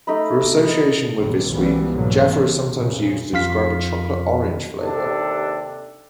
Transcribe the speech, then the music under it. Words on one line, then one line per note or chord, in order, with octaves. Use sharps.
Through association with this sweet, Jaffa is sometimes used to describe a chocolate-orange flavour.
A3 D#4 B5
A#1 E2 G2 C3 D#3 G3
C2 E3 F3 G3 G#3 B3
G#2 B2 D3 E3 F#3 A#3
F3
F2 A#2 C#3
F2 F4 F5 B6
D#2 C3 D4 A4